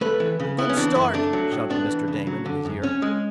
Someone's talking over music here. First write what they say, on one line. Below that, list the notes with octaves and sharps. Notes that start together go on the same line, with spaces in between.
"A good start!" shouted Mr. Damon in his ear.
A3 B4
E3
C#3
B3 E4
C#4
E3 D4
F#2 E4
A3 D4
F#3
A2
B3 D4
E3
C#3
F#3
D3
F#2
C#4
G#3